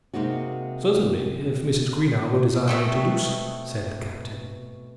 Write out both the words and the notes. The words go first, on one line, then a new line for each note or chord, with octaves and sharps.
"Certainly, if Mrs. Greenow will desire me to do so," said the Captain.
C3 G#3 A#3 D#4 F#4
B2 A3 C4